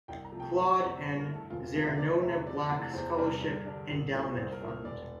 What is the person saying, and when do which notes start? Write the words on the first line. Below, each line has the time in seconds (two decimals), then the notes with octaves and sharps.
Claude and ZerNona Black Scholarship Endowment Fund.
0.08 C2 G5
0.25 A#5
0.32 C3 F3 A3
0.40 G5
0.55 G1 E5
0.72 D5
0.79 F2 C3
0.88 C5
1.04 G2
1.19 A#4
1.27 D3 A3 E4
1.35 A4
1.50 E1 F4
1.64 F4
1.75 D2 C3 F3 C4 F4
1.87 E5
1.98 F1 D5
2.10 E5
2.22 E2 C3 E5
2.34 E5
2.46 F2 D5
2.70 C3 E3 A3
2.93 E2 C5
3.18 C3 G3 D4 A#4
3.41 G2
3.65 D3 G3 D4
3.90 C2
4.12 A#2 A3 C4 E4
4.36 C2 C5
4.53 A#4
4.61 A#2 A3 E4
4.69 A#4
4.84 E1 D5